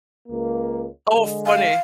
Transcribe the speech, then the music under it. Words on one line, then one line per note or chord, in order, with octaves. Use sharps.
Oh, funny.
C#2 A#3
D3 G#3
F5